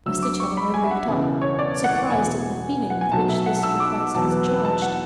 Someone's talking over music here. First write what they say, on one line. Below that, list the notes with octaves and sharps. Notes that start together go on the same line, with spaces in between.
Mr. Challoner looked up, surprised at the feeling with which this request was charged.
D2 D3 F#3 E6
D6
C#6
B5
G#5
E5
F#5
E1 E2 C#3 E3
C#5
D5
F#5
E1 E2 B2 G#5
F#5
G#5
B1 B2 F#3 A5
E5
F#5
E6
D6
E2 B2 F#3 A5
B4
B4
A5
F#5